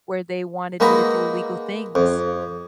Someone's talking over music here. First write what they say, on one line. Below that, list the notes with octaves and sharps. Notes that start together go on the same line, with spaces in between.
where they wanted me to do illegal things.
G#3 A#3 D#4 F#4 B4 D#5
F2